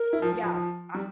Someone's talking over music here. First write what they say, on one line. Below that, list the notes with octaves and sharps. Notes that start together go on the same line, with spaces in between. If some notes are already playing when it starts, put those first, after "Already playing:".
Yes, I
Already playing: A#4
E4
F3
F3
F3
F3
G3